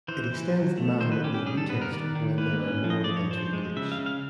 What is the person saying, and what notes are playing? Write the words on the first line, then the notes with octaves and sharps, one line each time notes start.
It extends the Mann-Whitney U test when there are more than two groups.
E3 C5
E3
F#3
A3
D#3 C5
B4
C#4 G4
G4
G3 G#4
A4
B3 B4
A#4
D#3 D5
D#3
A#3 B4
C#4
F3
D#5
F3 D5
C#5
F3 C5
G#3
C#3 E5
F5
C#3
F5